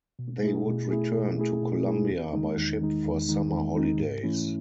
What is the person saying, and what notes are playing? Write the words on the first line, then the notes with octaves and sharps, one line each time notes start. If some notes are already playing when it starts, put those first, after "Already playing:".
They would return to Colombia by ship for summer holidays.
B2
A3 E4 G#4
B2
A3 E4 G#4
B2
A3 E4 G#4
B2
A3 E4 G#4
E2
D#3 G#3 D#4
E2
D#3 G#3 D#4
E2
D#3 G#3 D#4
E2
D#3 G#3 D#4
G#2
E3 A3 C#4 E4